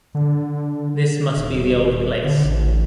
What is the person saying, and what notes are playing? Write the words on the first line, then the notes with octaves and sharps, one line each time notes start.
This must be the old place.
D3
D#1
D3
A1